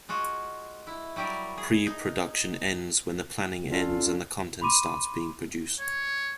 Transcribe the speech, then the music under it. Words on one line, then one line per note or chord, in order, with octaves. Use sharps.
Pre-production ends when the planning ends and the content starts being produced.
G#3 F4 F#4
E4
F#3 G3 G4 A#4 D5
G#4
D#4
C#4 F4 A4 D5
B5 C6 D6 D#7
C#5